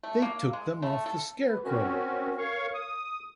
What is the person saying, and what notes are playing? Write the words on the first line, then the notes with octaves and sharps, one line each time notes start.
They took them off the scarecrow.
A3
A#3
G#3
A3
A4
B4
C4 C#4 F#4 A#4
C#5 F5 C#6
D#6